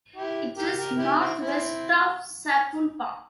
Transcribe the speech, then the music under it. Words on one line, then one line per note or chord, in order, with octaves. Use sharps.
It is northwest of Sapulpa.
E4 G4
G4 A#4
G4 A#4
E4 G4
C4 E4
C4 E4